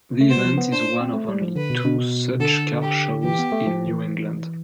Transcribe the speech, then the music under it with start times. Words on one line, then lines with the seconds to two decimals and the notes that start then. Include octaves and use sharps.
The event is one of only two such car shows in New England.
0.21 A3
0.30 B3 C5
0.37 G3
0.45 F3
0.58 B3
0.72 D4 C5
1.01 C4
1.14 A3
1.28 G3
1.42 F3
1.56 D3 B4
1.70 B2
1.84 B2
2.40 D3 A4
2.83 G4
3.24 E3 G4
3.39 B3
3.52 A3
3.67 F3
3.88 E3